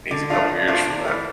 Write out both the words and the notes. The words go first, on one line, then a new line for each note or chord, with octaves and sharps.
He's a couple of years from that.
D3
F3 A3 D4 F4
D3
F3 A3 D4 F4
C3
E3 A3